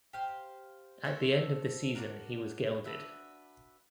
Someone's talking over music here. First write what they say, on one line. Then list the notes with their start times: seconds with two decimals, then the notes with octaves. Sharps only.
At the end of the season he was gelded.
0.13 G4 C5 F5
1.04 F#4 A4 C5 E5
1.95 D4 F#4 A#4
2.85 D4 F#4 B4 E5